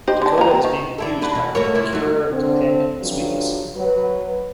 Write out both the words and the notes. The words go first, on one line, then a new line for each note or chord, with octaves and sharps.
Dakota is being abused by her procurer and companion, Sweetness.
D#4 G4 C5
D3 D4
A#3 A#5
C4
D#3
D4 E4 A4
D3 D4 B4
B2 E3
A3 A#3 C#5
F2 C3 E4
F#3 A3
D3 C4
G2 D3 F3 F#3
F#3 B4